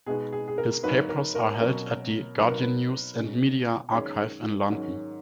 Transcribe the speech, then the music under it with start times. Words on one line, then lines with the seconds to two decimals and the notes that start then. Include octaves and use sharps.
His papers are held at the Guardian News and Media Archive in London.
0.06 B2 G#3 B3 D#4 G#4
0.33 G#4
0.48 G#4
0.58 A#4
0.83 G#2 F#3 A#3 D#4 B4
1.09 A#4
1.35 A#4
1.61 B2 F#3 A#3 C#4 A#4
2.38 B2 F#3 A#3 D#4 B4
2.49 A#4
2.61 B4
3.15 B2 G#3 C#4
3.92 F#2 D#3 G#3 C#5
4.70 G#2 D#3 F#3 C#4